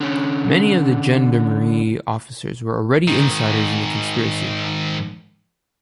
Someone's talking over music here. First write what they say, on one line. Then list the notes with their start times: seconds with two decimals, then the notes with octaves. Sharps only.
Many of the Gendarmerie officers were already insiders in the conspiracy.
0.01 D3 C#4
3.08 G#2 D#3